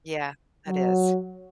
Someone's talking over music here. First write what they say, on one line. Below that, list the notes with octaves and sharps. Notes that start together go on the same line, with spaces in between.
Yeah, that is.
F#3